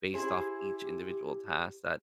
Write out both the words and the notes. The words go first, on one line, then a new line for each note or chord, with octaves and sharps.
based off each individual task that
E4 G4 G#4 C5